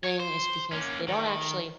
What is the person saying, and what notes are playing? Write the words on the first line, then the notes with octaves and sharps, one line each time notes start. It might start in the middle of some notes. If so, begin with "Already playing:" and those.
thing is because they don't actually
C#5
C5
A#3 C#4
D#3